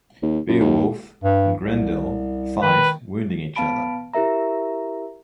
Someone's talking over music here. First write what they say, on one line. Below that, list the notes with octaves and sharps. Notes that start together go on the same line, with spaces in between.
Beowulf and Grendel fight, wounding each other.
D#2
F#2
D#2
G2
C2
D#3 B4
B3 F5 A5 B5 D7
E4 G4 A#4 E5 A#5